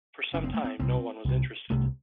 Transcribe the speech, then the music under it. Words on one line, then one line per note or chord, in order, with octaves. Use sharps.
For some time, no one was interested.
F#1 F#2 C#3 C#4
C4
A3
C4
C2 C3 C4
C2 C3
C2 C3 A3